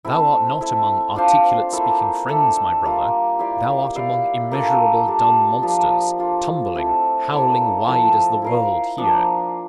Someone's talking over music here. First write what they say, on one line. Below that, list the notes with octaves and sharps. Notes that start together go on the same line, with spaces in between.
Thou art not among articulate-speaking friends, my brother; thou art among immeasurable dumb monsters, tumbling, howling wide as the world here.
A3 C4 E4
E4 A4 E5
D4 F4 C5 F5
A#3 E4 A4
A3 D4 A4 E5
G3 A#3 F4
E4 G4 D5 F5
E4 G4 D5 F5
A#3 D4 F4 A4
G3 D4 A4
F3 A#3 D4
D4 F4 A4
A3 C4 E4
A#3 E4 A4 D5
F3 A3 E4
E4 A#4 F5
F3 A#3 D4